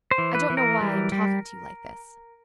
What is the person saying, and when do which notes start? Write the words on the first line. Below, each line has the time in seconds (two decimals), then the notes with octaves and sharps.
"I don't know why I am talking to you like this."
0.11 C5
0.18 E3
0.35 B4
0.50 E3
0.57 A#4
0.81 G3
1.12 G3